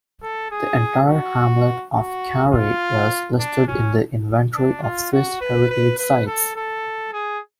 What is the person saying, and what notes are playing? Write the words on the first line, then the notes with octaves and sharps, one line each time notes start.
The entire hamlet of Carre is listed in the Inventory of Swiss Heritage Sites.
A4
G#4
F#4
F#4
F4
D4
C#4
D4
F4
F#4
B4
B4
B4
A4
A4
G#4